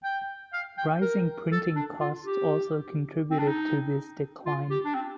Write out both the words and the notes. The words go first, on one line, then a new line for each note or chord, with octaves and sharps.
Rising printing costs also contributed to this decline.
G5
F5
G5
A#4
A4
D4
F4
G4
C4
D4
D#4
F4
G4
D4
C4